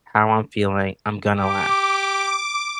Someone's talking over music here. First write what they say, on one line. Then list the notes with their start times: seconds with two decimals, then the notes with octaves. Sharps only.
how I'm feeling; I'm gonna laugh.
1.36 G4 D6